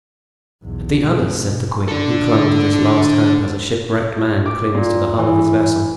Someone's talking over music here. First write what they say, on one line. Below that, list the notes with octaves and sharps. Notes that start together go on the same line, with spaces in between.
"But the others," said the queen, who clung to this last hope as a shipwrecked man clings to the hull of his vessel.
B1 E2
B2 G#3
D4 A4
D6
A#2
E3